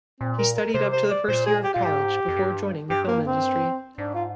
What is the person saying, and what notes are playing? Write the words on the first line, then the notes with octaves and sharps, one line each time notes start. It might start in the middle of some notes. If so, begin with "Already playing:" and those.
He studied up to the first year of college before joining the film industry.
A#2 C4
A#4
A#4
C3 C5
C5
D5
A#2 C5
G#4
G4
A#2 F4
G#2 G4
F2
G2
G2 G4
A#3
C4
G#2 D4
F4